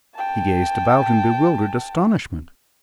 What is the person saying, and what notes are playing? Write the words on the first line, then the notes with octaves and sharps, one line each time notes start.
He gazed about in bewildered astonishment.
G5 A5